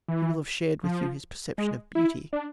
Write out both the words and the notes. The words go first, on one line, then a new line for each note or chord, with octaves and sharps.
He will have shared with you his perception of beauty.
E3
F3
G#3
E4
D4